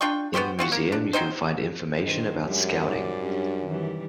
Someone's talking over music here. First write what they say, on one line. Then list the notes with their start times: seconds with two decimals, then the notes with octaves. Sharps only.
In the museum you can find information about Scouting.
0.01 D4 F4 G5 C#6
0.34 B3 F#4 G4 C5
0.59 C4 F4 F#4
0.72 A#3
0.92 D4
1.13 F#3 C4 D#4 C5
2.03 G2 D#3 C5
2.44 F#2 F3 G3 G#3
2.87 G#2 D5
3.21 G3 C#4 D4
3.66 D#3 E3 G3